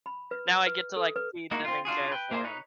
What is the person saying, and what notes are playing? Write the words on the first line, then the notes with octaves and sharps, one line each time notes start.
now I get to, like, feed them and care for 'em.
B5
B4
B4
A4
B4
G#3 A#3 D#4 E4 F#4
C4 F4
D4 F4 F#4 G#4
B4 G5
A#3 E4 G#4 C5
D#4 B4 C#5